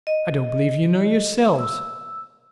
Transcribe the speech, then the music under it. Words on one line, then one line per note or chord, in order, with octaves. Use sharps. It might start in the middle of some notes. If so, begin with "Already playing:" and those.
I don't believe you know yourselves.
D#5
E6